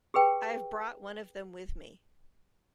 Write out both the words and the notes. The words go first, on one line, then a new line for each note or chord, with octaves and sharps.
I have brought one of them with me.
G4 G#4 B4 G5